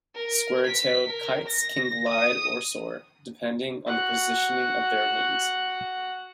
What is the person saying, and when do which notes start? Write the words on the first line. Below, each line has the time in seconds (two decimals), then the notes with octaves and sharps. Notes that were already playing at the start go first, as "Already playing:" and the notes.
Square-tailed kites can glide or soar, depending on the positioning of their wings.
0.15 A#4
0.66 B6
1.06 A#4
1.48 A#6
2.08 D#6
3.87 F#4 F#5